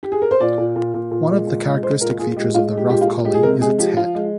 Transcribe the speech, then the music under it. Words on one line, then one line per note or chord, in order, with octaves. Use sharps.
One of the characteristic features of the Rough Collie is its head.
G4
G#4
A#4
C5
A#2 D5
A#2
A#2
A#2
A#2
G#3
A#2
G#3
G#3 C5
A#2 A#4
A#2 G#4
G#3 G4
G#3 F4
G#3
G4
A#2 G4
F4
A#2
G#3 G4
G#4
C3 A#4
G#3 G#4
F3 G4
F3 F4
G#3